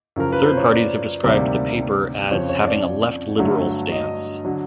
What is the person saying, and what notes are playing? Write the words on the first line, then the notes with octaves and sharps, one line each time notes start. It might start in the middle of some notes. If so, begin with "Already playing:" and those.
Third parties have described the paper as having a left-liberal stance.
F#2 C#3 F3 A#4
B4
C5
C#5
D5
D2 C3 D#3 G3 A#3 D5
F2 C#3 F3 C#5
C#5
D5
G2 D3 F#3 A3
D#5
D3 F#3